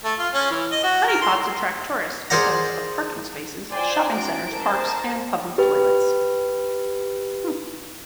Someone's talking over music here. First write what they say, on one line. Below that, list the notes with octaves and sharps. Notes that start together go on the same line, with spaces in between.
Honeypots attract tourists because of parking spaces, shopping centres, parks and public toilets.
A3
F4
C#4
E3
D#5
F#4
A#4
C6
G#4 A#4 C5 D5 F#5 A#5
F4 C5 D5 G5 G#5 C6
C#4 F#4 D7
A#4 C5 A5
G4 B4